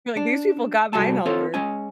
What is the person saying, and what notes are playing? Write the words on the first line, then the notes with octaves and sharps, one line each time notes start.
You were like, "These people got my number."
D4
C2 G3 F#4 A4 G#5 A5
C4 F4 A4 C#5
G#3 C#4 G#5